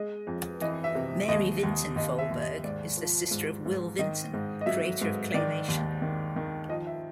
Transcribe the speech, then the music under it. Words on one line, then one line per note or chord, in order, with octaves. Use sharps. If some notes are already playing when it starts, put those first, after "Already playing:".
Mary Vinton Folberg is the sister of Will Vinton, creator of Claymation.
Already playing: G#3 D#5
F2
E3 D#5
E5
C3
D#2 D#5
D#2
D#2 D#5
E5
D#2
D#5
G#2 D5
F3
G#2
G#2
D#3 D#5
G#2
D#5
F#3 E5
G#2
D#3 D5
D#2
D#3
D#3
F3 D#5
E5